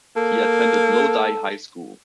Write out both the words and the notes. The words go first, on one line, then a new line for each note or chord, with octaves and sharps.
He attended Lodi High School.
A#3 A4